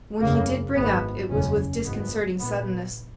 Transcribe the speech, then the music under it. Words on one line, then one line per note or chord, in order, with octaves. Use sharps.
When he did bring up it was with disconcerting suddenness.
F#1 E2 C#3 A#3
G#1 G#2 B3
F#1 E2 B2 C#4
G#1 G#2 B3
A#1 A#2 B3